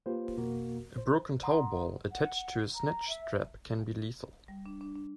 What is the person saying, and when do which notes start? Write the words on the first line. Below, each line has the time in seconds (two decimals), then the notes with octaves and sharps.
A broken towball attached to a snatch strap can be lethal.
0.06 A#3 F4 G4 B4 C5
0.36 F2 B2 A#3 F#4 A#4
0.98 C5
1.43 F#5 A#5 C6 D#6
2.11 F#5
2.75 A#5
3.07 E5
4.48 G3
4.66 D4
4.81 D4
4.96 D4